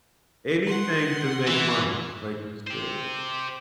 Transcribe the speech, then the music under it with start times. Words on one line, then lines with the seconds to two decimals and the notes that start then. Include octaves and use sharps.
Anything to make money, like you said.
0.66 F#5 C6
1.47 E3
2.67 G4 C5